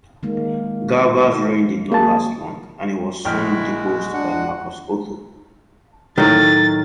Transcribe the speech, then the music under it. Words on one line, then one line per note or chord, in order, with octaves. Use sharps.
Galba's reign did not last long and he was soon deposed by Marcus Otho.
D#3 G#3 A#3
A#3 G#4 A5
A#1 G#3 E4 F#4 G5 F6
D4 F#5
A2 D#3 F#3 D#4 A6